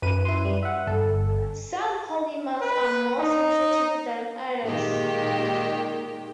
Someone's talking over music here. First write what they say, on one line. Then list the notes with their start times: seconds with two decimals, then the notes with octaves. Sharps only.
Some polymers are more sensitive than others.
0.02 F#2 B4 D#7
0.25 E4 C6
0.45 G3
0.63 E5 F#5
0.87 G1 A4
2.61 B4
3.19 D#4
4.64 A#2 D#3 G#3 A#3 G4